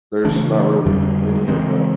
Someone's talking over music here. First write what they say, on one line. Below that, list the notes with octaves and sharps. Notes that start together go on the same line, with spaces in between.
There's not really any of that
C#3 E3 A3 D4
F2 D3 G3
C#3 E3 G#3 C4